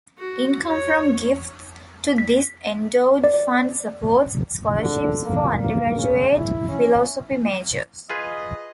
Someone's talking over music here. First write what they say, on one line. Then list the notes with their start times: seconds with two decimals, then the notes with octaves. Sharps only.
Income from gifts to this endowed fund supports scholarships for undergraduate philosophy majors.
0.18 F#4
0.66 C#5
2.18 B6
3.24 D5
4.81 D3
5.25 A#3
5.62 A#3
5.98 C#3
6.36 E4
6.68 C#4
8.10 F4 G#4 B4 D#5